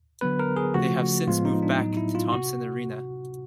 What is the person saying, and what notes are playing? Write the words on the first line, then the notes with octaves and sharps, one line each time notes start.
They have since moved back to Thompson Arena.
D3 F#3 B3 B4
A#4
G#4
C#3 F3 A3 F#4
A2 F3 G#3 B3 F4
D#4
D4
A2 F#3 B3 D#4
E4
F4
C3 F#4